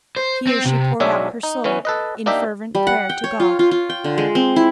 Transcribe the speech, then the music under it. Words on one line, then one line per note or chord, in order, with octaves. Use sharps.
Here she poured out her soul in fervent prayer to God.
C5
C4
C3
B1 F#3 G#3 D4 C#5 E5
D#4
E3 B3 C#4
A4 B4 D#5
A#3 D4 D#4 G4 D#5 E5
G3
F#5
G5
C#5
F4
F4
F4
G5
D3
G#3
C4
E4